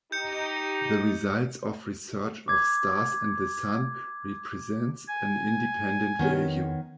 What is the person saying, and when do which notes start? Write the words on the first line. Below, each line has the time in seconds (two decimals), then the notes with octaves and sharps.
The results of research of stars and the Sun represents an independent value.
0.12 D#4 G4 G6 C#7
2.48 D6 G#6
5.08 G#5
6.19 D#3 B3 C#4